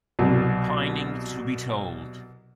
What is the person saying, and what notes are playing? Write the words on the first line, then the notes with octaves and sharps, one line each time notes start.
Pining to be told.
C2 B2 F#3